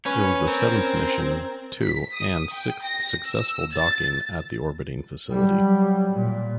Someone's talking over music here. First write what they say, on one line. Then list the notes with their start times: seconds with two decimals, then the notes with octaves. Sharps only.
It was the seventh mission to and sixth successful docking at the orbiting facility.
0.06 C#4 B4 C#5
0.47 C4 A#4
1.83 B6
2.15 D#6
2.54 G5
2.85 A#6
3.27 E6
3.75 A6
5.29 F#3 G3
6.12 A#2